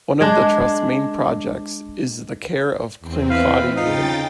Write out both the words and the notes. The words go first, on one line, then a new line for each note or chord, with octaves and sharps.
One of the trust's main projects is the care of Kincladie Wood.
G#3 D4
E2 C4
E4 B4 F5
C#3 D#4 F4 G5 A6